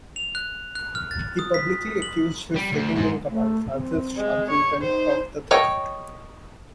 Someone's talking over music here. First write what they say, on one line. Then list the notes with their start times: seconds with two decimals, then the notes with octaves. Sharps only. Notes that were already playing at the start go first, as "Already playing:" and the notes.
He publicly accused his second in command, Francis Shackleton, of the theft.
0.16 F7
0.35 F#6
0.75 F#6
0.95 F6
1.11 A6
1.39 D#6
1.54 B6
2.02 F#7
2.56 G3
2.72 D2
2.95 G#2
3.30 A3
3.73 C4
4.18 G#3
4.50 C#5
4.82 D#4 C5
5.51 A4 C#5 D#5 G5